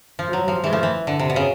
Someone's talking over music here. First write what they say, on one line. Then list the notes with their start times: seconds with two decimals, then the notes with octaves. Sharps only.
Wouldn't it now?'
0.19 F3
0.33 F#3
0.48 F3
0.64 E3
0.73 F3
0.83 E3
1.07 D3
1.19 C3
1.30 B2
1.36 C#3